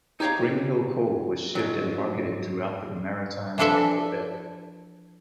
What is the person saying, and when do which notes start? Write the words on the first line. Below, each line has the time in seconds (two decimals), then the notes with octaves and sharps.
Springhill coal was shipped and marketed throughout the Maritimes and Quebec.
0.20 D#4 G4 C#5 F5 A#5
1.55 G#2 F#3
3.58 E3 F3 D4 A4 D5 E5